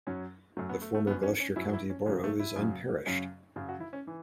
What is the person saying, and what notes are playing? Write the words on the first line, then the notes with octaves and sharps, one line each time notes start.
The former Gloucester County Borough is unparished.
F#2 F#3 C#4
F#2 F#3 A3
B3
A3
A3
F#2 F#3 B3
C#4
C#4
F#2 F#3 E4
E4
C#4
F#2 C#3 F#3 C#4
A3
E4
F#2 C#3 F#3
F#2 C#3 F#3 C#4
F#2 C#3 F#3
F#4
E4
C#4
E3